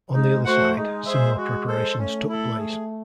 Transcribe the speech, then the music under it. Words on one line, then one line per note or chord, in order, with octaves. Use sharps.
On the other side, similar preparations took place.
G#3 D#4
A3 F#4 C5 F#5
G#3 D#4
G#4 C5 E5
F#4
A4 C5
A3 C#4
E4 A4
G#4